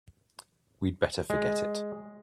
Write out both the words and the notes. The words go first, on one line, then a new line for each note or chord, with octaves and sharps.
We'd better forget it.
G#3